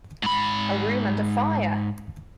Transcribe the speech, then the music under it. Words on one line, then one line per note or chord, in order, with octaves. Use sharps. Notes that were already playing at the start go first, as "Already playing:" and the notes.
A room and a fire!
G#2 B5